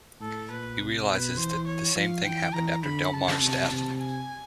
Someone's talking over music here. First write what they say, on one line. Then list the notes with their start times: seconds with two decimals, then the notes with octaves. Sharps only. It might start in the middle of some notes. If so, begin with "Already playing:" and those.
He realizes that the same thing happened after Delmarre's death.
0.21 A2 A4
0.50 A#2 B4
0.79 C3
1.08 B2 B4
1.37 E3 C5
1.67 C#5
1.96 F3 F5
2.25 E3 G5
2.54 E3 A#5
2.84 D3 B5
3.13 C#3 A5
3.42 C3
3.71 C3
4.00 G#5